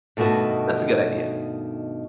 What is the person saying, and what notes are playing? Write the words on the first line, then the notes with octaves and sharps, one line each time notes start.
That's a good idea.
G2 B2 D#3 A3 F#4